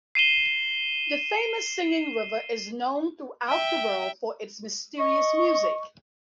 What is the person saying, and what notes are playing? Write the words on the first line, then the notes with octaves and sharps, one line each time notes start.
The famous Singing River is known throughout the world for its mysterious music.
C7 D#7 E7 G7
E5 G5
D#5 C#6